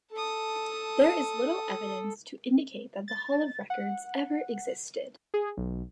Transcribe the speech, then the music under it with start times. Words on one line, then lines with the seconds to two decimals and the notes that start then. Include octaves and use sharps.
There is little evidence to indicate that the Hall of Records ever existed.
0.12 A4 A5 D#6
3.08 A6
3.70 F#5
5.34 G#4
5.57 B1